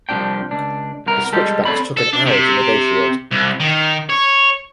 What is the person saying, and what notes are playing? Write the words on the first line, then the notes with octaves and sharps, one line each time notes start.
The switchbacks took an hour to negotiate.
C2 C3 F3 D4 G5
C#2 D4
C2 B3 A#4
G3 G#3 G4 A4
C4 A4 C#5 D5 B5
A4
D4
C3
C2
D#3
C#5